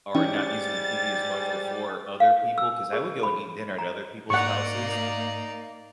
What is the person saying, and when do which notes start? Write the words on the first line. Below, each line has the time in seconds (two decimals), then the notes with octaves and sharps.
or not using the TV as much before other people 'cause I would go and eat dinner at other people's houses,
0.15 G#2 E3 G3 C#4 D#4 G5 A6
2.20 F5
2.58 E6
2.93 G#4
3.23 B5
3.79 A#5
4.30 G#2 A#3 D#4 D5 F#5 C#6